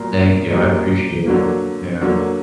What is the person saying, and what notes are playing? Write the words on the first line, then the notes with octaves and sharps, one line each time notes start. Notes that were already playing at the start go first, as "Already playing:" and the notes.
Thank you, I appreciate it. Yeah.
Already playing: A#2 F#3 A#3
A#2 F#3 A#3 D#4 G4
D3 F#3 A#3
D3 F#3 A#3